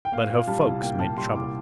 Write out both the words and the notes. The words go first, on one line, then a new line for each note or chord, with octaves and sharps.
But her folks made trouble.
G5
A#3 F5
A#2
G3 A5
C2
A#3 G5
A#2 A5
G3 C6
C2 D6